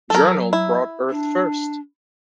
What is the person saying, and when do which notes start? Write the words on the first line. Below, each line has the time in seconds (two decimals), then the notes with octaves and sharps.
Journal brought Earth First!
0.10 F#3 A4 A#4
0.53 E4
1.10 D4